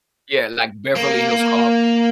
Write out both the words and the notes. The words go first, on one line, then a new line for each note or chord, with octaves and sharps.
Yeah, like Beverly Hills Cop.
A#3